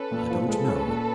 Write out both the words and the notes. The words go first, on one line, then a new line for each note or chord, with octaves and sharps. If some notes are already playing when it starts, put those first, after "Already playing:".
I don't know.
Already playing: C#4 A4 B4
A#2
F3
G#3 A4 B4
C#4
A#2